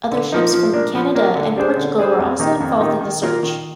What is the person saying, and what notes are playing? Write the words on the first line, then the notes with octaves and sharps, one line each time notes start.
Other ships from Canada and Portugal were also involved in the search.
D3
F3 A#3 D#4
F3
A#3 D4
F3
A#3 D4
D3
G3 D4 G#4 C5
D3
G3 D4 G#4 C5
F2
D#3 A#3 D#4 G4
F2
D#3 A#3 D#4 G4
D#3
A#3 F4 A#4
D#3